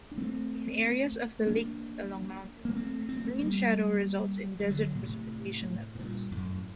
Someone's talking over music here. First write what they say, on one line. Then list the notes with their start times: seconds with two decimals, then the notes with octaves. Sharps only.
In areas of the lakebed along mountains, rain shadow results in desert precipitation levels.
0.11 D4
0.18 A3 C4
1.47 A#3 D4
2.65 A#3
2.76 A3 C4
3.09 C4
3.17 A#3
3.25 A3 C4
3.41 G3 A#3
4.60 G3
4.70 D3 F#3
4.95 A#2
5.03 A2 C3
5.95 A2
5.99 G2 A#2
6.32 F#2 A2